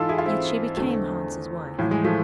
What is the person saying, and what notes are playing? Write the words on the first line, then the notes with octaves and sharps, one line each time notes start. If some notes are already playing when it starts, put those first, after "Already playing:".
Yet she became Hans' wife.
Already playing: G#2 E3 F4 A4
E4 G#4
F4
C4 E4
E2 D3 A3 C4
A2 E3 F3
G#3
F3 A3